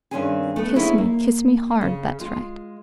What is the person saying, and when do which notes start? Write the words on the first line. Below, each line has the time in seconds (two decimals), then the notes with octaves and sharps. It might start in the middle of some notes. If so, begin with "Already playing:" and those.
Kiss me, kiss me hard, that's right.
0.11 G2 D#3 C4 C#4 G#4 G#5
0.56 A3 B3
0.76 A3 B3 C#4 D#4 E4 G#4
0.98 A#3
1.81 C#3
2.20 G#3 F4